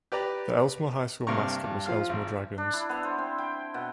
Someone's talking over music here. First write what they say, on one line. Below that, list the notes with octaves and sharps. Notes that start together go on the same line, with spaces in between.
The Elsmore High School mascot was Elsmore Dragons.
G4 B4 D5 A#5
G2 C3 A#3 A#4 A#5 C#6
G2
F3 F5 F6
G#1
D4
E4
B3
C5
C4
G5
B2